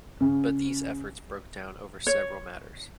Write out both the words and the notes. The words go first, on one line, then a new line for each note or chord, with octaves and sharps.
But these efforts broke down over several matters.
C#3
C#5